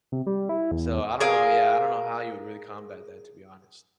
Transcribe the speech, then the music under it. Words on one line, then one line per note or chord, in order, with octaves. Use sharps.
So, I don't know yeah, I don't know how you would really combat that, to be honest.
C3
G3
E4
E2
G#4 A#4 F5